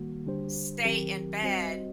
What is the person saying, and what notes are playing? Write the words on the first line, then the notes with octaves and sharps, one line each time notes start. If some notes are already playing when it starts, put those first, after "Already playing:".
stay in bed,
Already playing: D#3 G3 A#3 F#4
D3 G3 D4 G4 C5
D#3 F#3 C4 G4 A#4
G3 C4 F#4 C5 D#5